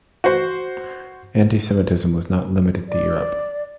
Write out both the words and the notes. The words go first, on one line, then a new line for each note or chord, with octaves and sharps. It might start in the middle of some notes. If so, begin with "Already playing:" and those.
Anti-Semitism was not limited to Europe.
F#4 C5
D5